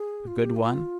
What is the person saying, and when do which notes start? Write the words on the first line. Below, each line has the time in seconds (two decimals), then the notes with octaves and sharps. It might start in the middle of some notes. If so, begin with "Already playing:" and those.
A good one?
Already playing: G#4
0.27 F4
0.39 G4
0.56 E4
0.63 F4